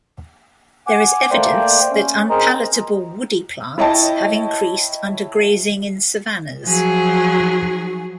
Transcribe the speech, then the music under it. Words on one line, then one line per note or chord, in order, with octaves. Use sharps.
There is evidence that unpalatable woody plants have increased under grazing in savannas.
F#5 G#5 D6
A3 A#3 C5 D5 G5
C#4
C4 G#4 A#4 C5 D#5 A#5
E4 C#5 D#5 G5 A5
F3 F#3 G#4